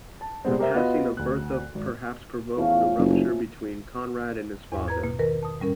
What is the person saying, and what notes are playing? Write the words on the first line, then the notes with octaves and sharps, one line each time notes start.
The passing of Bertha perhaps provoked the rupture between Conrad and his father.
A5
C3 G3 G#3 B3 C4
G4 A#4 C5 E5
B3 F4 F#4 B4 D#5
D2 F#6
G#1
E2 F3 A3 C#4
F#1
E2 G#2
B4 A#5 G#6
B2 A#3
D#3 A#4 B4
A5 D#6
A2 G3 C#4 A#4